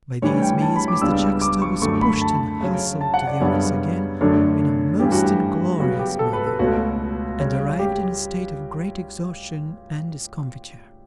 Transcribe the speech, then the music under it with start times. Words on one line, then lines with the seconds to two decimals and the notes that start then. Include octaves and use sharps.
By these means Mr Chuckster was pushed and hustled to the office again, in a most inglorious manner, and arrived in a state of great exhaustion and discomfiture.
0.22 A2 E3 G3 D4 C#5
0.42 G5
0.62 A5
0.76 B5
0.88 D6
1.02 C#2 C#3 G3 B3 D4 E6
1.42 D6
1.62 C#6
1.82 F#2 D3 A3 C#6
2.02 B5
2.21 A5
2.61 C#3 F#3 C#4
3.01 A5
3.14 F#5
3.27 D5
3.40 F#2 C#3 G3 B3 D4 C#5
4.21 F#2 D3 A3 D4 C#5
5.00 G2 E3 A3 C#4 G4
5.12 F#4
5.24 G4
5.80 C#3 F#3 B3 F#4
5.99 G4
6.19 A4
6.33 B4
6.46 A4
6.59 C#2 B2 A3 C#4 F#4
7.39 C#3 G3 C#4
7.79 G4